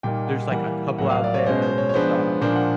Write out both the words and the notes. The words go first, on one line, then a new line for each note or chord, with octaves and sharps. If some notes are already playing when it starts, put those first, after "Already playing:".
There's, like, a couple out there, just, uh,
A#2 G3 A#3 D#4 G5
F#5
E3 G3 A#3 F#5
A2 F#3 A#3 F#5
F5
D5
C#5
B2 G#3 C#4 C5
C5
C#5
C#5
F3 G#3 B3 D4 C5
A#2 F3 A#3 D4 C5
F#5